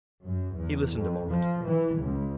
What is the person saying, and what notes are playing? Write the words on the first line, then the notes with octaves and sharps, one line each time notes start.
He listened a moment.
F#2
E2
F2
F3
E3
C#2